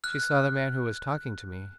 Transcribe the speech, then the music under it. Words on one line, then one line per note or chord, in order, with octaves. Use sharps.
She saw the man who was talking to me.
F6 F#6